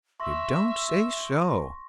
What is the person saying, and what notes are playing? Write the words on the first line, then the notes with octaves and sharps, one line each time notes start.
"You don't say so!"
E5 C6 C#6 A#6